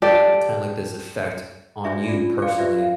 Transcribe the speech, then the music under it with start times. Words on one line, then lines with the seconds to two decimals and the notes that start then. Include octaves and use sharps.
uh, kinda like this effect on you personally
0.02 G4 A4 D5
1.84 D4 F#4 G#4 D5 E5 C#6
2.08 C#4 F4 D5 B5
2.42 F#4 C5 D5 F5 G5 C6
2.58 F4 G4 B4 C5 D5 E5
2.78 F5